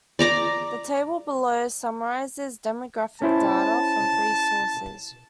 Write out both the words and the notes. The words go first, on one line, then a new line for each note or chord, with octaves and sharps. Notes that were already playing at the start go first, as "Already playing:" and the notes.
The table below summarizes demographic data from three sources.
D5 A#5 D6
C#4 E4 C5 A5